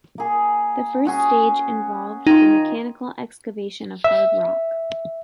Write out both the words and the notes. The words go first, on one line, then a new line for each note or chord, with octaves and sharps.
The first stage involved the mechanical excavation of hard rock.
A#3 G#4
C#4 F#4 G#4
D#3 D#4 F4
E5